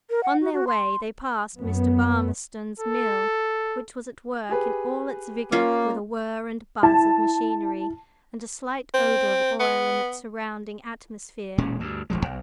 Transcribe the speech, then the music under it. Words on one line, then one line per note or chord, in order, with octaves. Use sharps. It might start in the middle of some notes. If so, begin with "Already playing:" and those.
On their way they passed Mr. Burmistone's mill, which was at work in all its vigor, with a whir and buzz of machinery, and a slight odor of oil in its surrounding atmosphere.
A#4
F#5
F#4
F#4
C6
F#2 B3
A4
G4 G#4 B4
A#3 C#4 F4
E4 A5
C4
B3
E1 A#2 G#3 C#4
D2 G2
D#1 A1 F3 G#3
B1